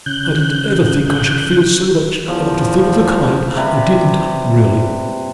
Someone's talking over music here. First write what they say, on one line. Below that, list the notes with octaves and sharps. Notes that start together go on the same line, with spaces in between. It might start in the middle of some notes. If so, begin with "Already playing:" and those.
I didn't ever think I should feel so much about a thing of the kind--I didn't, really.
C#3 F#6 G6
E2 F3
C3 G3 B4 B5